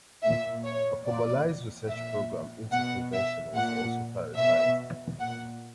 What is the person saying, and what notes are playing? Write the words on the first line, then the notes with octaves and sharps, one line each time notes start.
A formalized research program into prevention was also prioritized.
A#2 E5
C#5
A#2 D5
A#2 E5
B2 F#5
E5
A#2 F#5
B2 E5
A#2 F#5